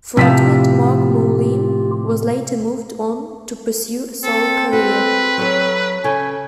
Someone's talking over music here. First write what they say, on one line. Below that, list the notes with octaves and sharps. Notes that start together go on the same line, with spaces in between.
Frontman Marc Moulin was later moved on to pursue a solo career.
A2 C3 F3 F4 G4 B6
C4 A4
F#4 A4 B4
F#3 A4 C#5
C#3 A4 G#5